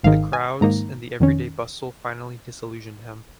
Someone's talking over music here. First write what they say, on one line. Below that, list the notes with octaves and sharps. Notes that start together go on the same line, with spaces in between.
The crowds and the everyday bustle finally disillusioned him.
G#1 G#2 D#3 G#3 F5
G#5
G#2 D#3 A#3 D#4 A#5
F2 D#3 C#4